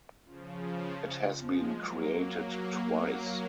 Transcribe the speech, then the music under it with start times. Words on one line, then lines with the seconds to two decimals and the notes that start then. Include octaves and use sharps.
It has been created twice.
0.25 C#3 F3
1.38 F3 G#3
1.75 F#3 A#3
2.12 F#3 A#3
2.87 F#3 A#3